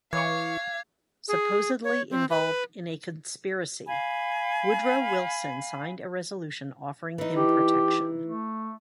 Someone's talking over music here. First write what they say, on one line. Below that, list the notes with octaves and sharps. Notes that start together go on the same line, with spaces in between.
Supposedly involved in a conspiracy, Woodrow Wilson signed a resolution offering him protection.
E3 C#5 F5 C#6 D6 G#6
G#4
C#5
C4
B4
F5 G#5 B5
E3 D#4
G4
A3